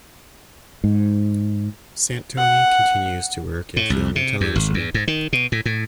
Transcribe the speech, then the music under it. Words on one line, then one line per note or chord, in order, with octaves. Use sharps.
Santoni continues to work in film and television.
G#2
F#5
A2
C2
C3
E2
G#1
E2
G#2
D#3
B2
A2
A2